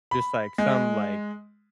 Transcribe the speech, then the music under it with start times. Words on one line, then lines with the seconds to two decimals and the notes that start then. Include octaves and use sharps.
just, like, some, like,
0.11 B5
0.58 G#3